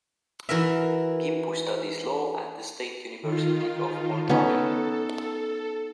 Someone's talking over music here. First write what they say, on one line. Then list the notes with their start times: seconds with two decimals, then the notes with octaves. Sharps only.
Ghimpu studies law at the State University of Moldavia.
0.49 E3 F#4 A#4 E5
3.23 D#3 F4
4.29 B3 C#4 D#4 A4